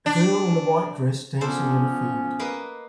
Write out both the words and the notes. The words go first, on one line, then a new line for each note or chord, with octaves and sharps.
A girl in a white dress dancing in a field.
D4
F3 B3 C#4 D4 A4 C5
A#3 B4 D#5